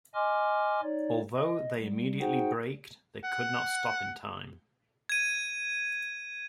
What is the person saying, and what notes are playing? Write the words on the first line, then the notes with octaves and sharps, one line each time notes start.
Although they immediately braked, they could not stop in time.
D#5 G#5 C6 D6 F6
D#4 C#5 D5
D#5
G3
D#4 F#4 G#4 C5 F#5 G5
F#5
G#6 D#7